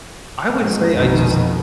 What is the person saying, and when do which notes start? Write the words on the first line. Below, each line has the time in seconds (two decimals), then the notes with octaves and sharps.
I would say I just
0.60 G#2 F#3 G#3
0.96 A#1 F2 B2 D#3